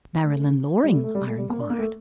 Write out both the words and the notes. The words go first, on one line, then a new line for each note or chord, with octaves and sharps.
"Marilyn Loring?" I inquired.
A3
G3
A3
A3
G3
A3
G3
A#3
D4
A#3
A3